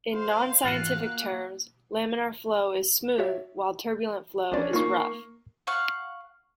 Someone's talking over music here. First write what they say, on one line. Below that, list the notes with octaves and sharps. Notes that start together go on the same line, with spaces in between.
In non-scientific terms, laminar flow is "smooth" while turbulent flow is "rough".
C5 F5
A1 G#2 E3 F4 F#4 F#6
A#3
F#4 C#5 E5
A#1 C#4 D4 D5
A#3 D#4 F4 C#6
F5 F#5 C#6 F6